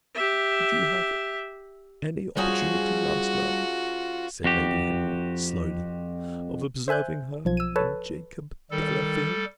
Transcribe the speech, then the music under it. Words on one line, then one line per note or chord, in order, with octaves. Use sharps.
"Did you have any opportunity last night," said Lady Henry, slowly, "of observing her and Jacob Delafield?"
G4 E5
F3 G3 C#4 F4 F#4 G#4
F2 F#4 G4
C5 E5 G#5 F#6 G6
B1 F3 G#6
E6 D#7
A4 B4 C#5 A5
D#3 G3 A4